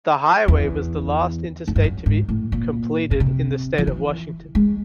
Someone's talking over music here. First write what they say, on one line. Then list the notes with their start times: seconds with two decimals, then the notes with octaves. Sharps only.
The highway was the last Interstate to be completed in the state of Washington.
0.48 E2
1.68 G#2
1.76 G2
1.84 F#2
2.06 G#2
2.29 A2
2.52 A#2
3.11 B2
3.20 C3
3.78 F3
3.87 E3
4.55 G#3